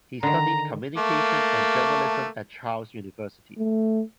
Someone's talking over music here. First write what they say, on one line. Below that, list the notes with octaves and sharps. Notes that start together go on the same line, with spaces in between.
He studied communication and journalism at Charles University.
D3 D#3 A#5
A3 A#3
A3